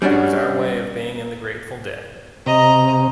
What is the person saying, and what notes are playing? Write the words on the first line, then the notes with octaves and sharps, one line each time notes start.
It was our way of being in The Grateful Dead.
G3 C#4 D4 F#4
C3 D#5 A#5